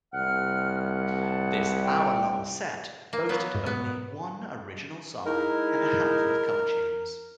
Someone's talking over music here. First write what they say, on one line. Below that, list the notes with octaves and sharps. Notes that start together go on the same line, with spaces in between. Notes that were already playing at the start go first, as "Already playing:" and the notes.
This hour-long set boasted only one original song and a handful of cover tunes.
C2 F#5 F6
A5
G5
A#3
F#3 B3
G#2
B3
G#3 D#4 E4 A#4